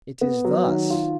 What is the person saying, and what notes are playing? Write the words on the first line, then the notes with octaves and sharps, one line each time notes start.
"It is thus."
B3
F#3
D#3
F4